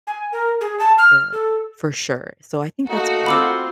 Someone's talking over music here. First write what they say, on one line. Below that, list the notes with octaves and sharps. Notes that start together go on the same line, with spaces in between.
yeah, for sure. So, I think that's great,
G#5
A#4
G#4
A5
F6
A4
A3 A#3 D#4 F#4
C4 F4 B5 D6 E6